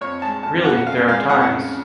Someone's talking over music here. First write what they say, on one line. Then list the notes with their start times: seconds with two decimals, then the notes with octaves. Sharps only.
Really, there are times...
0.01 F2 C#5
0.22 G#3 A5
0.43 F2 A5
0.65 C#3 F#5
0.87 F2 F5
1.08 G#3 F5
1.29 F2 F#5
1.51 C#3